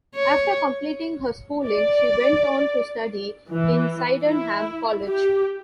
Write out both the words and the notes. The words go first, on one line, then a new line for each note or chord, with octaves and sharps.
After completing her schooling she went on to study in Sydenham College.
C#5
D5
E3
E4
G4